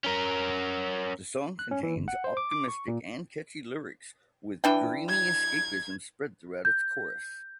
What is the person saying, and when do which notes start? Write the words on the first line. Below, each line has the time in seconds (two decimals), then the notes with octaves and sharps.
The song contains optimistic and catchy lyrics with dreamy escapism spread throughout its chorus.
0.04 C#4 A#4
1.59 F#6
1.71 C#4
1.83 E3
1.96 G1
2.08 F#5
2.24 C5
2.37 D6
2.51 D6
2.68 C#6
2.88 A#2
4.64 E3 D4 G5
5.09 G#6
6.65 G6